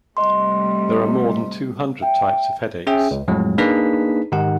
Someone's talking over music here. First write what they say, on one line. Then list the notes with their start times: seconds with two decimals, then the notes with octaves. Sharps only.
There are more than two hundred types of headaches.
0.17 C3 G3 A3 D#5 C6
2.01 E5 G5
2.87 C#4 G#4 E5 G5
3.11 C#2
3.28 F2 A2 F#3 G#3
3.58 A#3 D4 D#4 G#4 B4 B6
4.32 G#2 D#3 D#4 G4 F#5